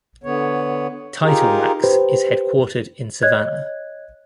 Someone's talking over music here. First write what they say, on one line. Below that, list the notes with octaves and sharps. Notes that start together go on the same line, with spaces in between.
TitleMax is headquartered in Savannah.
D3 B3 C#5
D#4 F4 G4 G#4 A#4
G4 B4 C5
C#5 D#5 F#6 G#6